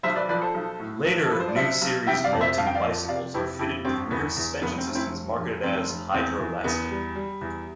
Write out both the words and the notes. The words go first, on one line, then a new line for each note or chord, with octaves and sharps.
Later 'New Series' Moulton bicycles are fitted with rear suspensions systems marketed as 'Hydrolastic'.
B1 C5 E5
B4 D5
F3 B4 D5
A4 C5
B1
A2
B1
A4
F3 B4
C5
D5
B1 C5 E5
B1
C3 E5 G5
D5 F5
F2
C5 E5
F2 F5
G5
D5 F5
F3
C3 D5 F5
F2 E4 G4
F2 E4 G4
G1 C4
E2 B3
E2
F1 B3
C4
F1
C4 E4
F1
F1
F1 C4
F1
E2 C4
E2
E2 B3
G3
G3
E2